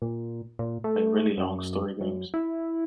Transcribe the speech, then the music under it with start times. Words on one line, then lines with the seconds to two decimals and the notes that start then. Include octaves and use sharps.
Like, really long story games.
0.02 A#2
0.59 A#2
0.84 A3
1.37 F#2
2.01 F#2
2.34 E4